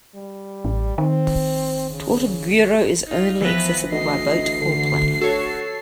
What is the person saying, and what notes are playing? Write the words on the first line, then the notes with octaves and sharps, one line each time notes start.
Tortuguero is only accessible by boat or plane.
G3
A1
D#3 C4
C#3
D#4 F4
E3 F3 B3 B4 A#6
D2 D#5 C7
D3
F#4 A4 C#5